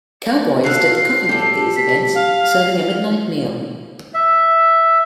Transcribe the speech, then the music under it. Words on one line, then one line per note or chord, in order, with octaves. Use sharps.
Cowboys did the cooking at these events, serving a midnight meal.
F#4 A4 F5 C7
G4 A4
B6
F5
E5